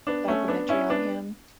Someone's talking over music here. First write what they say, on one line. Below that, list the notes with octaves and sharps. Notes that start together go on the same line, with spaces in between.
documentary on him.
B3 D4
A3 C#4
B3 D4
C#4 E4
B3 D4